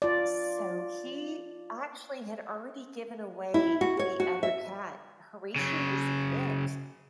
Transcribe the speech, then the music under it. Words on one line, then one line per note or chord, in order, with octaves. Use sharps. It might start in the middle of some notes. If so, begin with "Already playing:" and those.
So, he actually had already given away the other cat, Horatio was it.
F4 D5
E4
F#4
C#5
F#4
E5
C#3 F#3